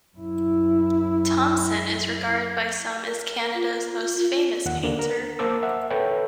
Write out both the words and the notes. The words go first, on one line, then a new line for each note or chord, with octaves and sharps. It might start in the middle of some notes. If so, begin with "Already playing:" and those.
Thomson is regarded by some as Canada's most famous painter.
F#2 E4
A#4
F4
D#2 F#5
D3 A#3 D4
A#4
A#3 A#4 C5 A5 D6 E6
E5 F#5
A4 B4 C#5 E5 G5